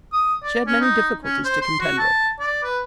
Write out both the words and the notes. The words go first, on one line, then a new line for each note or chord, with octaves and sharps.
She had many difficulties to contend with.
D#6
D5
C#4
D#4
C#4
C5
C6
F#4
A5
D5
B4